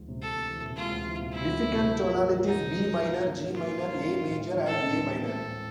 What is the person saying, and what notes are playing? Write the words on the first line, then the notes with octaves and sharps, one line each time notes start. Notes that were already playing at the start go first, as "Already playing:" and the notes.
Difficult tonalities: B minor, G minor, A major and A minor.
Already playing: D2 E3 G#3
C3
G#3 A4
D2
E3
C3
G#3 F4
D2
E3
C3
G#3 E4
D2
E3
C3
A#3
G#2
G3
E3
A#3 D#4
G#2
G3
E3
A#3
G#2
G3
E3
A#3 F4
G#2
G3
E3
C4
A2
G#3
E3
C4 A4
A2
G#3
E3
C4 A4
A2
G#3